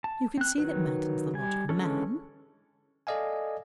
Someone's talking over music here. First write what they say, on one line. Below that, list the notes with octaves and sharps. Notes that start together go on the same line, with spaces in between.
"You can see that Manton's the logical man?"
A5
C4 F#6
D#3 F#3 B4
G3 G#5
D3 E3 G#3 C#4 A4
A4 D5 D#5 F5 G#5